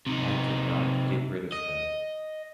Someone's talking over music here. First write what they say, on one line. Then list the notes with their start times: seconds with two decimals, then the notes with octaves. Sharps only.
I could not get rid of her.
0.06 C3 D#4
1.52 D#5